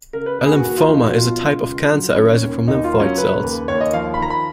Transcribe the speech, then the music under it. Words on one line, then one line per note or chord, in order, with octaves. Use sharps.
A lymphoma is a type of cancer arising from lymphoid cells.
C#3 A#4
B4
D#2 B4
G#4
F#4
D#2 F#4
F4
F3 D#4
F#4
B2 F4
C#2
C#2
F#3
D#3 C#4
D#2
D#2 D#4
F4
F#3
C#4
C#3 B4
D#2
D#2 C#5
D#5
F3 F5
B5
D#3 A#5
B5